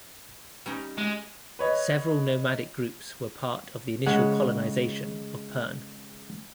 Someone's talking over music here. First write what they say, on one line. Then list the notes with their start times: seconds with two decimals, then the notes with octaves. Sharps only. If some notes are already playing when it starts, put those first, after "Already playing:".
Several nomadic groups were part of the initial colonization of Pern.
0.66 G3 C#4 D#4
0.98 G#3
1.59 B4 C#5 D#5
4.06 C#3 G#3 F#5